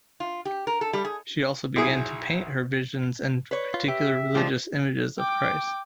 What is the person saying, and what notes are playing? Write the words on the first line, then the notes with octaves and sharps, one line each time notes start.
She also began to paint her visions and particular religious images of Christ.
F4
G4
A#4
A4
G3
G#4
B1 E4 G#4 D#6
B4 C#5
F4
G4 E5
A#2 E3 F3 G#3 G4
G5 D6